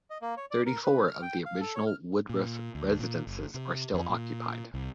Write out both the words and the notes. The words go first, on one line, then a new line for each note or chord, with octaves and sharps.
Thirty-four of the original Woodruff residences are still occupied.
D#5
A#3
C#5
D5
A#4
B4
F6
G5
F5
A4
C#5
F6
A#2
D2
A#2
F#1
C3
F2
A#2
C2